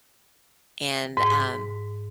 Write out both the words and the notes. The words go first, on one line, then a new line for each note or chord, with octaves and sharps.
and, um
G#2